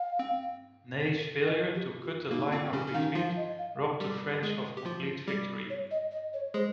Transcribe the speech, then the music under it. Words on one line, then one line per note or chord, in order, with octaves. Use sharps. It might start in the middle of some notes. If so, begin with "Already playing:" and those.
Ney's failure to cut the line of retreat robbed the French of complete victory.
Already playing: F5
C4
D#5
G4
F4
A#3 D#4
C4 F4
C#3 C#4 G4
C#4
D#3 D#4 F5
F3 F4 F5
D#5
F5
G3 G4
G#3 G#4
G4
F3 F4
G3 G4
C#5
D#5
D#5
C#5
G#3 G#4 C5